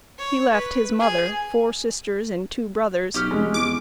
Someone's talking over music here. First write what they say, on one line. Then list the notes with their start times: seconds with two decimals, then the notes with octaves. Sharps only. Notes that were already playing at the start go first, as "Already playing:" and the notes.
He left his mother, four sisters and two brothers.
0.19 C#5
0.53 B4
0.99 G#4
3.14 B1 C#4 G4 F6
3.31 F1 G#3
3.54 E2 D6